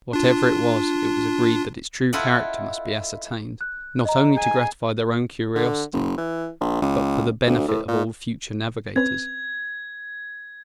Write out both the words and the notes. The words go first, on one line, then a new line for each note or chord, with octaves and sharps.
Whatever it was, it was agreed that its true character must be ascertained, not only to gratify their own curiosity, but for the benefit of all future navigators.
D4 F4
E4 F4 A4 D#5 F#5
F#6
D#5 A#5
G#4 G#5
D3
F#1
E3
A#1
C#2
D2
A2
A#2
C4 C#4 B4 G#6